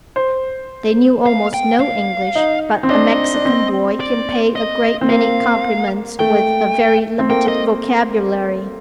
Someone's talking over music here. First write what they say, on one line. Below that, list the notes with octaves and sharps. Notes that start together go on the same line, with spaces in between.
They knew almost no English, but a Mexican boy can pay a great many compliments with a very limited vocabulary.
C5
F5
G5
F5
D#4
C4
D4 D#5
D4
C4
D5
D#5
C4
A#3 F5
A3 G5
C4
A#3 G5
D#5